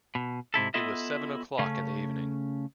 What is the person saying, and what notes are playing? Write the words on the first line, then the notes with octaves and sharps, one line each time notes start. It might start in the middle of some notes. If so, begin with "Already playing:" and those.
It was seven o'clock in the evening.
B2
G#2 C3 E4 A4
B3 E4 F4 A4 D#5 E5
C#3 A3 C#4